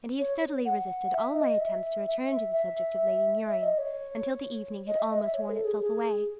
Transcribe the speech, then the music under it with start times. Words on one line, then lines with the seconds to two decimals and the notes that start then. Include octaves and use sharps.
And he steadily resisted all my attempts to return to the subject of Lady Muriel until the evening had almost worn itself away.
0.19 C#5
0.65 F#5
1.13 E5
1.36 D#5
1.60 E5
2.06 E5
2.30 E5
2.52 E5
3.47 E5
3.62 D#5
3.78 C#5
4.87 D#5
4.99 E5
5.10 D#5
5.22 E5
5.34 C#5
5.49 A4
5.65 G#4
5.81 G#4